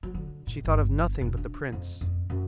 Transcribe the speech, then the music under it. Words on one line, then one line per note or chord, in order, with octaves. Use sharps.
She thought of nothing but the prince.
F#3
D3
A2
G1
E1
D4
F2
F2
F#2